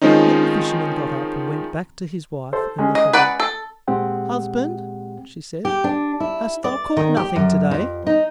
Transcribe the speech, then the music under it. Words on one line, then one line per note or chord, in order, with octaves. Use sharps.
Then the fisherman got up and went back to his wife in the hovel. "Husband," she said, "hast thou caught nothing to-day?"
D#3 F3 G#3 C4 C#4 D#4
A4 C5
G#3 C#4
D#5
B4 D5 F#5
A4
A#2 G#3 C4 G4 F#5 G5
G4
D4
E4
D5
D#3
G4
F#2
F2
D#4